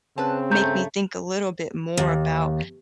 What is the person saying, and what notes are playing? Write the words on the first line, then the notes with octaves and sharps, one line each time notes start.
make me think a little bit more about
C#3 C4 B4 A5
G2 A3 A#5 G6
D#2